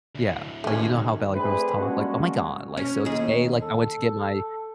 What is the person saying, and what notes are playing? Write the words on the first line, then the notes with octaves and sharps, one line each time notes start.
Yeah, like, you know how valley girls talk? Like, "Oh my god, like, so today, like, I went to get my"
D2 A2
F#2 D#3 A3 C#4
A3 C4 D4 G#4 B4
G3 G#3 A#3 C#4 D4 F#4
C#4
D#2 G#4
A4